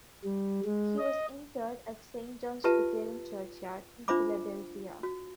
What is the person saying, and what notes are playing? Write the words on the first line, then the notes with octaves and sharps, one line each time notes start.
He was interred at Saint John's Lutheran Churchyard in Philadelphia.
G3
G#3
D#5
F4 G4 B4 E5 A5
D4 F4 C5 E5 B5 D6
F#4